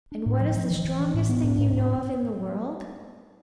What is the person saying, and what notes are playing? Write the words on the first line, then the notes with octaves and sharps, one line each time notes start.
And what is the strongest thing you know of in the world?
D4
A2
F3
F3
E3
E3
C#4
A2
B3
A2
A2
A2